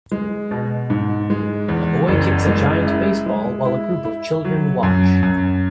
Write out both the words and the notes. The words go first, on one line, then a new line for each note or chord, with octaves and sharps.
A boy kicks a giant baseball while a group of children watch.
G#3
B2
G#2
G#3
E2
F#1
G#3
E4
G#3
E4
E4
F#3
F#2
F#2